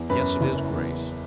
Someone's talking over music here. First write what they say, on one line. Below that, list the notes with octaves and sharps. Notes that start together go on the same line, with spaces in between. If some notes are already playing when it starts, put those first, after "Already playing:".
Yes, it is, Grace.
Already playing: E2
F#2 B4
F#1
E2